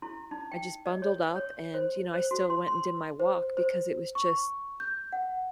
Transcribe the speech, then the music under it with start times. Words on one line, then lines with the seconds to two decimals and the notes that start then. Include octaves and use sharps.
I just bundled up and, you know, I still went and did my walk because it was just,
0.02 E4
0.31 D#4
0.52 G5
0.86 D#5
1.02 C#5
1.36 C#5
1.74 C5
2.14 C5
2.31 F#4
2.50 C6
2.67 C6
3.20 C5
3.57 C5
4.15 C#6
4.80 G6
5.13 F#5